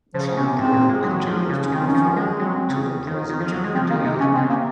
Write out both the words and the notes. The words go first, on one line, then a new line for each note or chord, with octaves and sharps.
Tempo continues to perform to the present day.
C#3 F3
C3 C#4
G#2 C4
A#2
G#3
F#3
F3
C#3
C#4
D#3 C4
C#4
F3
G#3
F#3 C4
C#3
D#3
D#3
F3
F#3
G#3
F3 C4
D#3 A#3
C3 G#3
C#3 C#4
C4
C#3
C3
A#3